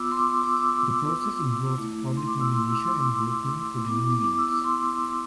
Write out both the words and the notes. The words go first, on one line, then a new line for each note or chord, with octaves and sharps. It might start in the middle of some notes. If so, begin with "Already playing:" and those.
The process involved public nomination and voting for the new names.
Already playing: B3 F4 D6 E6
C6
D6
C6
D6
E6
D6
D6
A3 E4
C6
D6
E6
C6
E6
D6
C6
D6
B3 E4 D6
D6
D6
D6
E6
C6